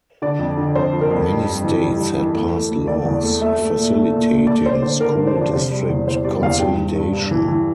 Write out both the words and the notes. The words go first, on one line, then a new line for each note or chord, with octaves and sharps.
Many states had passed laws facilitating school district consolidation.
D3 D5
F2
D3
F2 C5
F3
A#4
F2
G2
G2
E3
G3
G2
E3
A3
A3
A3
A3 D5
E2
A3
A3 E5
A3
A#2
A3
A#2
A#2
A3 D5
A3 C5
D3 C5
D3 A#4
A3 A#4
C5
F3 D5
C3 C5
G3
E2
E2 C5
G3 D5
E2 F5
G2 G5
G2
G2
G2
E3
E3